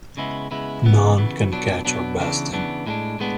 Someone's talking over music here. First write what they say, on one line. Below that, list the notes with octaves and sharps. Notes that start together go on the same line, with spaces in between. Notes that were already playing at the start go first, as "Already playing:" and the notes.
None can catch or best him.
C#3 G#3 B3 E4
C#3 G#3 B3 E4
C#3 E3 B3
C#3 E3 B3
B2 F#3 B3 D4
B2 F#3 B3 D4
C#3 E3 B3 D4
C#3 E3 B3 D4
A2 G#3 B3 D4
A2 G#3 B3 D4